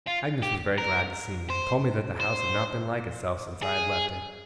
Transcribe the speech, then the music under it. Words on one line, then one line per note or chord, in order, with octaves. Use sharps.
Agnes was very glad to see me, and told me that the house had not been like itself since I had left it.
F4
G4
A#4
C5
C5
G#4